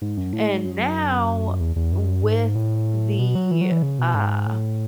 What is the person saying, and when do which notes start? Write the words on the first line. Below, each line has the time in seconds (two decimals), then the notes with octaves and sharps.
and now with the, uh,
0.02 G#2
0.17 F#2
0.33 A2
0.49 G#2
0.65 F#2
1.60 E2
1.76 E2
1.92 F#2
2.23 G#2
2.56 A2
3.19 B2
3.35 F#3
3.51 E3
3.61 F#3
3.72 E3
3.83 C#3
3.99 B2
4.14 G#2
4.46 A2